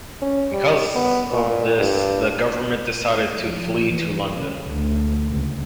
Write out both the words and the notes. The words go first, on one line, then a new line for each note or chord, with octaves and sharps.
Because of this the government decided to flee to London.
C#4
G3
B3
A#2
G2
F3
E3
C#3
D2
C#2